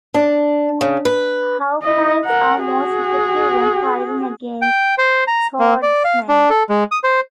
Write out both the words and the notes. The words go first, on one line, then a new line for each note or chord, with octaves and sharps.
Hawknights are most effective when fighting against Swordsmen.
D4
C#3
B4
E4 D#5
A#4 F#5
F#4 G#4
G5
C5
A#5
A#3
D5
F5
D4
A4
G#3
D#6
C5